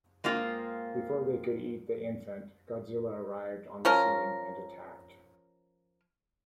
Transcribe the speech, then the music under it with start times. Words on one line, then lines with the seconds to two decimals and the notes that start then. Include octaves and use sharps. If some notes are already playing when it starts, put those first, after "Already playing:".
Before they could eat the infant, Godzilla arrived on the scene and attacked.
0.24 G#3 A#3 C4 F4
3.85 F3 C#4 A#4